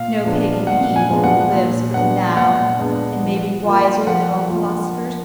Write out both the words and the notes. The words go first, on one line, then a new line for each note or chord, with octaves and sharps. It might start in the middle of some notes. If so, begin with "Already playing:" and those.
No Pagan he, who lives for the Now, and may be wiser than all philosophers.
Already playing: A#2 F5
F3 G#3 B3 D4
A#2 F#5
G#5
F3 G#3 B3 D4
F#5
A#2
G#3 B3 D4 F#5
A#2 F#5
G#3 B3 D4
F3
A#3 F4
F3 F#5
A#3 F4